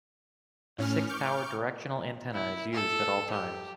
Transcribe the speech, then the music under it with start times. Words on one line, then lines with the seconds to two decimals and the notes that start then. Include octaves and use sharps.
A six-tower directional antenna is used at all times.
0.78 A2 C#4 F6
1.09 C#6 D6 F6 G6
2.34 E4
2.74 A4
3.31 G4